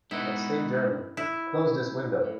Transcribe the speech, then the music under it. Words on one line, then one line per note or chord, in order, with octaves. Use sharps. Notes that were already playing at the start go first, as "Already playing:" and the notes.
But, Saint-Germain, close this window...
G#3 B3 D#4 E4 F#4
E4
A2